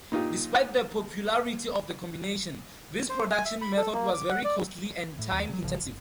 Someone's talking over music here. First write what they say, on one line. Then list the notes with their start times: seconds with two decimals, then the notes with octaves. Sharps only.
Despite the popularity of the combination, this production method was very costly and time-intensive.
0.12 A#2 D#4 F4 G4
3.09 C5
3.31 G#5
3.45 E5
3.62 B5
3.77 A4
3.93 A#3
4.14 D6
4.30 F#5
4.45 D5
5.19 A2
5.33 D#2
5.49 C3 F#3
5.63 G#1 C#3 F3
5.82 G1